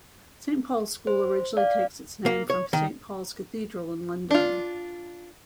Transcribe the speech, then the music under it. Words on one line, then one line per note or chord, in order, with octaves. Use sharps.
Saint Paul's School originally takes its name from Saint Paul's Cathedral in London.
C5
D5 F5
A#3
C#5
D#3
D4 F4